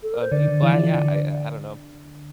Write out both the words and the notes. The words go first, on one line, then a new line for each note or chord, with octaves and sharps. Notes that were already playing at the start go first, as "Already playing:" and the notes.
and people uh, yeah, I I I don't know.
A4
A#4
C5
D3 D5
D3
E3
F3
F3
D3